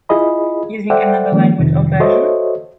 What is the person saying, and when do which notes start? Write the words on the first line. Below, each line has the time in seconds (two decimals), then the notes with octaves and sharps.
Using another language or version?
0.09 E4 F4 G#4 D#5 B5
0.90 A4 C5 D5 E5 F#5 G5
1.32 D#3 F3 G#3 A#3 C#4
1.58 F2 C3 D#3 F3
2.00 F#4 A4 C5 C#5 D#5 E5